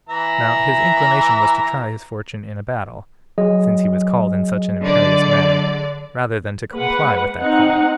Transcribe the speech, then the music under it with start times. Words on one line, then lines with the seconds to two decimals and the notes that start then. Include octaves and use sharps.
Now his inclination was to try his fortune in a battle, since he was called in such an imperious manner, rather than to comply with that call.
0.09 E3 E5 A#5
3.38 F#3 G#4 D#5
4.83 D3 D5
6.73 G#3 A#3 B4 F#5
7.39 C4 D#4 F#5